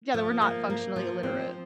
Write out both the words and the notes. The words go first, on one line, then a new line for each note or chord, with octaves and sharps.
Yeah, that we're not functionally illiterate.
F3
A#3
A#3
F3
C4